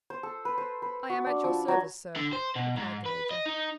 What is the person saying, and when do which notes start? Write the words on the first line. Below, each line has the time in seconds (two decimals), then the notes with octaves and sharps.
"I am at your service, sir," replied the major.
0.10 C5
0.23 A4
0.45 B4
0.58 C5
0.82 B4
1.10 F#4
1.27 D4
1.44 F3
1.68 F#3
2.16 D3
2.33 C5
2.55 B2
2.77 G#2
3.05 B4
3.31 D#5
3.46 D#4